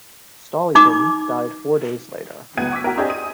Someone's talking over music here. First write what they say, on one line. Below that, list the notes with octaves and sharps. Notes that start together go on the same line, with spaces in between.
Stolypin died four days later.
D#4 D6
C#2 F#3 B3 F#5 G#6 D#7
C#6 D6 E6 B6
F#4 A#4
C4 D4 G4 G#4 C5 D#5
D#6 D#7